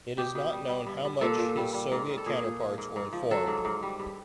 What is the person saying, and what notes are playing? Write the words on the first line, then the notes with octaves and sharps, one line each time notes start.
It's not known how much his Soviet counterparts were informed.
B2 G4
B2
G3
G3
G2
G2
A#2 A4
A#2
G3
G3
G#2
G#2
A4
A#2 G#4
A#2
F3
G#2
G#2
F3
F#3 A4
G#2
G#2
G3
G2